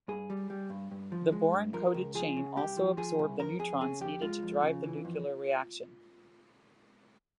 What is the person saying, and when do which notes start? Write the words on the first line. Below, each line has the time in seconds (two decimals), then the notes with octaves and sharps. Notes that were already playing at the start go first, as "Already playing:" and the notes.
The boron-coated chain also absorbed the neutrons needed to drive the nuclear reaction.
0.08 G2 G#4
0.30 G3
0.50 G3
0.70 G2
0.91 G2
1.12 F3
1.32 G#3
1.53 G2
1.73 F3 A#4
1.94 C#2
2.15 F3 G#4
2.36 C#3
2.57 C2 G4
2.77 F3
2.97 F3 G#4
3.19 C2
3.39 F2 A#4
3.59 F2 G#4
3.81 C#3 G#4
4.01 F2 G4
4.22 G#3 F4
4.42 F2
4.63 C#3
4.84 E3
5.05 F2